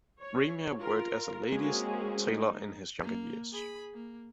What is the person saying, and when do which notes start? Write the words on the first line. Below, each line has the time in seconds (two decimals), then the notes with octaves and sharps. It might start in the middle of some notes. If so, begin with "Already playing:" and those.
Reimer worked as a ladies' tailor in his younger years.
0.20 C#5
0.78 F4 A#4
1.51 G#3 A#3 C4 C#4 F#4 G#4
2.32 D#4
3.03 A#3
3.52 G#4 B5
3.94 A#3